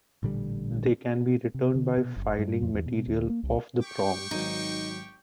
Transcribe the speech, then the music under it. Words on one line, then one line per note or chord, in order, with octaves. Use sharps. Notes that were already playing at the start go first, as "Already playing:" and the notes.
They can be retuned by filing material off the prongs.
A1 A#2 D3 G3
C3
D3
B2
F#1
G2
F2
E2
B2
D2
A#3
C2
G4 G5 C#6
G#1 F#3 D#4 G6